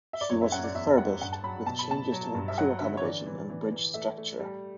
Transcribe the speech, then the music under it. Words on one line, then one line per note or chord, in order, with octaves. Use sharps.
She was refurbished with changes to her crew accommodation and bridge structure.
E5
D5
F#2 C#5
E5
F#2 F#5
D5
E2 E5
G3 F#5
G2 F#5
A5
F#3 B5
B2 A5
B5
B2 A5
F#3
G2
E5
F#3 F#5
D3 E5
C#5
E3 D5
E3
E3
E3
A3 E5
A3
G3